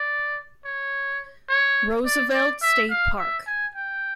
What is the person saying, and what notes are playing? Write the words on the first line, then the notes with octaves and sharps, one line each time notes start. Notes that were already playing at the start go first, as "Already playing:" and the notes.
Roosevelt State Park.
Already playing: D5
C#5
C#5
D5
D5
E5
F5
E5
G#5
G5